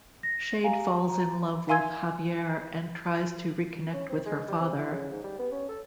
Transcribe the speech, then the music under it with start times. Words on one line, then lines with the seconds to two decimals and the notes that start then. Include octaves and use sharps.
Shade falls in love with Javier and tries to reconnect with her father.
0.23 A#6
0.64 G4 F5 G#5 A#5
1.09 A#5
1.68 E5 F5 G#5 C6 E6 G#6
3.93 C#4
4.09 C4
4.26 G#3
4.48 G3
4.60 C4
4.77 E4
4.91 C#3
5.11 G#2
5.23 G3
5.39 B3
5.52 C#4
5.68 A4